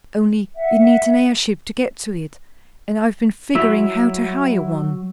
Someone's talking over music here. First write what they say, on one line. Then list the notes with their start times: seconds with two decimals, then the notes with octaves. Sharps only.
Only it needs an airship to get to it, and I've been figuring how to hire one.
0.56 E5 F#5
3.55 F#3 E4 E6 B6